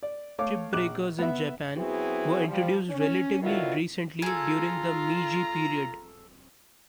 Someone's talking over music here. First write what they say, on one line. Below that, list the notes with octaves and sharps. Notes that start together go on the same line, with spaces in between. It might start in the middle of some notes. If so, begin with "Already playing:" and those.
Chip breakers in Japan were introduced relatively recently during the Meiji period.
D5
A3 C#5 F5 D6
A#1 D6 F#6
B3 E5
F#3 B3 C4 E4 F#4 G#4
F3 G3
C#4
B2 D3 D#3 F#3 E4 F4
F4 G#4 A4 A#5